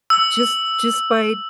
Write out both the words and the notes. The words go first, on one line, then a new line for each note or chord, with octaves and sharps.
just just by, d
E6